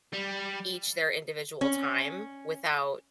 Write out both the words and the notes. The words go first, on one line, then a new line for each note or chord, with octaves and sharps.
each their individual time without
G3
C#4